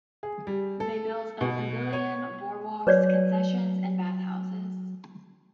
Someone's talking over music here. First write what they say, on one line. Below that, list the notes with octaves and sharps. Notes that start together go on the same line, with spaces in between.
They built a pavilion, boardwalks, concessions and bath houses.
G#4
G3
A4
B2
C#5
F#3 B4 C#5 D5